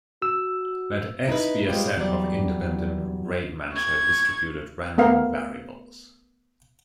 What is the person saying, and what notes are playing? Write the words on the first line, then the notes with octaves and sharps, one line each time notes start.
Let "X" be a set of independent Rademacher distributed random variables.
F#4 E6
D#4 E4 B4
G3 G#3 C4 F4 G4
E2 F#3 G3 D5
C#6 G#6
A3 B3 A#4 F5